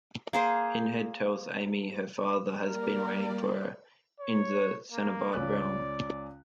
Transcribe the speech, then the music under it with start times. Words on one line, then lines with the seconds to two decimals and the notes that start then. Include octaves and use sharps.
Pinhead tells Amy her father has been waiting for her in the Cenobite realm.
0.33 A#3 G#4 C5
2.66 G3 A#3 A#4 D5
4.20 C#5
4.92 A#3
5.33 C#2 C#4 D5 F#6